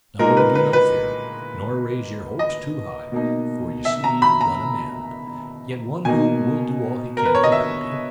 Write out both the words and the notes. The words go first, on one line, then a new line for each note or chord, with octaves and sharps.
No, do not fear--nor raise your hopes too high; for you see but a man, yet one who will do all he can to help you.
A#2 G#3 D#4 A#4
B4
B4
B4
D#5
B2 A#3 D#4
E5
A#5
B5
A#5
B2 A#3 D#4 G#5
A#4
B4
C#5
D#5
E5